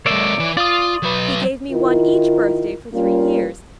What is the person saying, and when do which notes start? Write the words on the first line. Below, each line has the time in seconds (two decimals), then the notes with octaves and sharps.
He gave me one each birthday for three years.
0.06 G#3 A#3 C#5 D5 E5
0.39 E3
0.57 F4 D5 D#6
1.03 F#3 B4
1.70 D#3 E4 F4 A#4
2.93 G3 A#3 C#4 F4